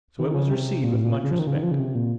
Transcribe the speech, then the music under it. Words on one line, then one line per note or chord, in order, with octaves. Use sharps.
So it was received with much respect.
D#3
C#3
C3
A#2
A2
A#2
C#3
F3
D#3
C#3
D#3
F3
C#3
C3
A#2